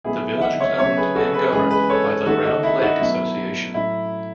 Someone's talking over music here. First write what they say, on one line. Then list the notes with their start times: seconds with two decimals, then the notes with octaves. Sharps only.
The village was owned and governed by the "Round Lake Association".
0.04 B2 F#3 A3 E4 G#4
0.38 E5
0.41 D#5 F#5
0.60 C#5 E5
0.78 C#3 F#3 A3 C#5 E5
0.97 G#4 B4
1.15 F#4 A4
1.34 G#4 B4
1.52 C#3 E3 G#3 G#4 B4
1.71 G#4 B4
1.89 A4 C#5
2.26 D#3 A3 F#4 A4
2.45 D#4 F#4
2.63 E4
2.81 D#4 F#4
3.00 B2 F#3 A3 E4
3.74 A2 F#3 A3 E4